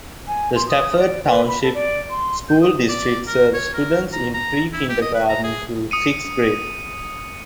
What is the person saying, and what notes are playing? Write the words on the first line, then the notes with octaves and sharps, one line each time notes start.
The Stafford Township School District serves students in pre-kindergarten through sixth grade.
G#5
C6
D#6
D5
B4
B5
A4
D5
C6
G6
D#6
D5
A#4
C#5
A#4
A#5
A#5
E4
G4
D#5
B4
A#5
G#4
D#6 C#7 D#7